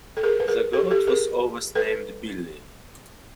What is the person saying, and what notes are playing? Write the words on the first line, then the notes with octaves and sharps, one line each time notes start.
The goat was always named 'Billy'.
A4
G#4 A#4
B4
G#4 A#4
G4 A4
G4 A4
G#4 A#4
A4 B4